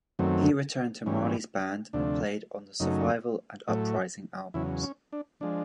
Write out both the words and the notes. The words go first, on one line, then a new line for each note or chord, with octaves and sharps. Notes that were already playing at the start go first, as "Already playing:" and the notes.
He returned to Marley's band and played on the "Survival" and "Uprising" albums.
F#2 D#3 F#3 A3 C4
G#2 E3 G3 C#4
D2 C3 F3 A3 D4
F#2 C#3 F#3 A3 D#4
A2 F#3 A3
E2 C#3 F#3 E4
C#4
D4
F3 G#3 D4